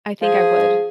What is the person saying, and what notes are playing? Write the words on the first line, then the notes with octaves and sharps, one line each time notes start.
I think I would.
F3 G#4